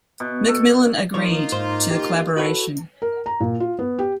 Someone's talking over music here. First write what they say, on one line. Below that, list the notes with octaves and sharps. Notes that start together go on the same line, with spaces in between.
McMillan agreed to the collaboration.
B2
A4
F3 A#3 D#4 F4 C#5
G#2 C5 C6
G4
E4 F#4 A4 B4 C#5
A#4
A#5
A#2
F4
B3
G4